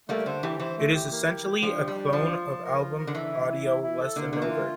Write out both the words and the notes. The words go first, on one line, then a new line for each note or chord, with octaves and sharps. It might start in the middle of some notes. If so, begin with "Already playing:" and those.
It is essentially a clone of album Audio Lessonover?
G3 A3 A#3
D3 C5
E3 G4
E3 C5
A3
G4
A#3
G4
G4
F3 D4
G4
G3
D4
F3 A5
F4
A5
A#4
F4
A#4
D3
E3 A4
E4
E4
E4
E4
A4
D3 A#3
D3 A#3
E3
F4